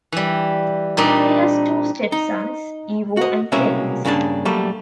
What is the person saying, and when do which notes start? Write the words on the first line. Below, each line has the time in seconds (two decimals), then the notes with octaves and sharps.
He has two stepsons, Ivo and Felix.
0.12 E3 G3
0.97 A#2 G3 C4 D4 D#4
2.12 D#4
3.17 F#4 D#5
3.52 C2 B2 G#3 A#3 C#4 E5
4.05 G2 C#3 A#3 D4 A5
4.45 F#3 G3 A3 A#3